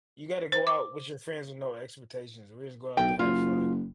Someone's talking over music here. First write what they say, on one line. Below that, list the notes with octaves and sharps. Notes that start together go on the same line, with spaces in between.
You gotta go out with your friends with no expectations, we just go out to have fun.
C5
D6
B1 G5
F#1 F4